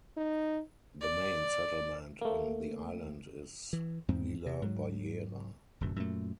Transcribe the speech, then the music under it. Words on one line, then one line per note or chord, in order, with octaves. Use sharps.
The main settlement on the island is Vila Baleira.
D#4
D5
A3 A#3
E3
E2 G#2 C4
C3
G#2 F#3
D1 F#2 B2
F#2 A#2 A3